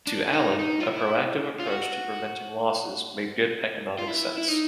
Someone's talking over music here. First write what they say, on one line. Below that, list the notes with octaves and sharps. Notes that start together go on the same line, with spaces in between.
To Allen, a proactive approach to preventing losses made good economic sense.
D4
D#4
D#4
F4
E4
F4
F#4
F4
E4
E4
D#4